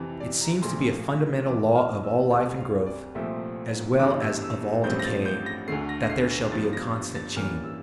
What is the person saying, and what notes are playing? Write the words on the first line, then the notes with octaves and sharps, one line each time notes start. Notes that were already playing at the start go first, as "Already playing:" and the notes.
It seems to be a fundamental law of all life and growth, as well as of all decay, that there shall be a constant change.
Already playing: F2 C3 E3
D5
A#5
A#1 A#2 F3 A3 C6
F2 E3 A#3 D6
F6
E6
D2 C3 G3 C4 A5
F5
D5
C2 A#2 F3 A3 C4 E5
G1 G2 E3 D6
E6
E6
A1 G2 F3 A3 C4 G6
A#6
A6
G6
A#6
D2 D3 A3 C7
A#6
A#6
C7
A#6
G1 G2 F3 A6
A#6
A6
A1 G2 E3 A#3 F6
E6